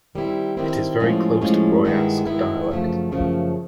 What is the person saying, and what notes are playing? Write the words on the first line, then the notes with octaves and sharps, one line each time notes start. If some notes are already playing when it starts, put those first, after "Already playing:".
It is very close to Royasc dialect.
D#3 G3 C4 E4
D#3 G3 C4 E4
A2 F3 G#3 C#4
A2 F3 G#3 C#4
G2 D#3 G#3 B3 E4
G2 D#3 G#3 B3 E4
F#2 C#3 F3 A3
F#2 C#3 F3 A3